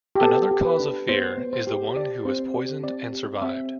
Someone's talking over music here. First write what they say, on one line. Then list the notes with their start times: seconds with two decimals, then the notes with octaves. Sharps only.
Another cause of fear is the one who was poisoned and survived.
0.15 G4
0.21 B3 A4
0.51 G4
0.65 B4
0.80 D4
1.09 B3 C5
1.38 B3
1.53 C5
1.67 G4
1.95 G4 D5
2.25 C4 C5
2.54 G4 D5
2.83 C4 D5
3.13 G4
3.42 C4 E5